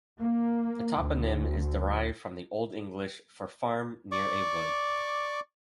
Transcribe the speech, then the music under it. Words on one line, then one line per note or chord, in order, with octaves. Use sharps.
The toponym is derived from the Old English for "farm near a wood".
A#3
D2
D5 C#6 D6